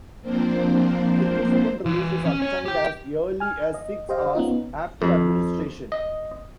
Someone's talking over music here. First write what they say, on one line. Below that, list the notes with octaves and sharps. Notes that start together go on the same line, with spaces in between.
Significant relief is obtained as early as six hours after administration.
F3 A#3 C4 D4 C5
E3 F5
C#4
C#5 G#5
G4 G5
G#5 F6
D#5
G4 C5 D#5 F5
B3 C#4 D#4 F4
F2
D#5